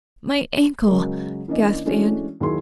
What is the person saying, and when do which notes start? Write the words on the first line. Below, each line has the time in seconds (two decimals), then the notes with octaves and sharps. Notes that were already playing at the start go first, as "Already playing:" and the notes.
"My ankle," gasped Anne.
0.88 C#3 F#3 G#3 A#4
1.48 E3 A#3 C#4 D4 D#5
1.85 E3 G#3 A3 C#4 D4 F#4
2.41 D#2 D#3 F#3 E4 G#4 C6